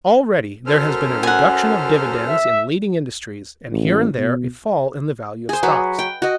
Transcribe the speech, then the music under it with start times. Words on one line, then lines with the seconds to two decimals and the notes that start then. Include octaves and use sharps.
Already there has been a reduction of dividends in leading industries, and here and there a fall in the value of stocks.
0.66 F#2 A4 C5 F6
1.23 F#5 G#5
2.28 E5
3.72 A1
4.18 B2
5.49 G#4 C5
5.63 F#3 F#4 B4
5.99 G5
6.22 F#4 D#5